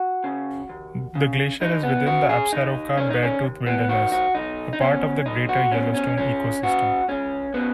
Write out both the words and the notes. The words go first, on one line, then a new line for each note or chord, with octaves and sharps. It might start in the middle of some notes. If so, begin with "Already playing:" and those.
The glacier is within the Absaroka-Beartooth Wilderness, a part of the Greater Yellowstone Ecosystem.
Already playing: F#4
C#3
D#2
C#3
D#2 D#4
B3
C#3 F#4
G#4
D#2 D#4
D#3 C#4
D#4
C#4
D#2
B3
D#3 F#4
F#4
B1 D#4
D#4
B2 C#4
B1 D#4
F#4
B2 C#4
C#4
C#2 C#4
C#3 F#4
C#2 C#4
C#3 B3